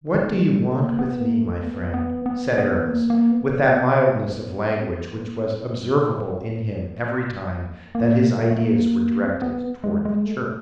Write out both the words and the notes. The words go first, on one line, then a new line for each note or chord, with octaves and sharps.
"What do you want with me, my friend?" said Aramis, with that mildness of language which was observable in him every time that his ideas were directed toward the Church.
D#3
G3
A3
A#3
B3
A#3
A3
B3
B3
B3
B3
A#3
A#3
B3
C4
B3
A#3
C4
B3
A#3
A3
A#3
A#3
A3
A3
A#3
C4
B3
G#3
G#3
A3